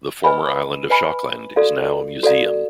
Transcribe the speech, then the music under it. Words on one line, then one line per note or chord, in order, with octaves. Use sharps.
The former island of Schokland is now a museum.
B4 D#5 G#5 B5
B4 D#5 G#5 B5
F#4 A4 D5 F5
F#4 A4 D5 F5